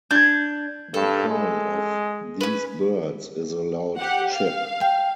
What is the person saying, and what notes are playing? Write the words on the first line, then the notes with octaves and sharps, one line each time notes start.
The call of these birds is a loud "chip".
D4 G6 G#6
G2 A4
G#3
C#4 B4
G4 F#5
F5
G5